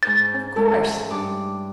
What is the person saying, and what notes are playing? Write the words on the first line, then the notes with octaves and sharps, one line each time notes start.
'Of course.
G#2 G6 A6
G#3 C#4 E4
G2 D6